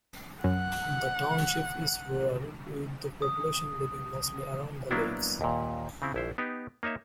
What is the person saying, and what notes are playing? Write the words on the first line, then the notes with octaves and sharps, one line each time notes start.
The township is rural with the population living mostly around the lakes.
F#2 F#5
D#6
F#3 A#3 B3 D4 E4
D#2 A#2
C#3 C4 E4
A#1 E4 C5
B3 D#4 G4
A#3 D#4 C#5 E5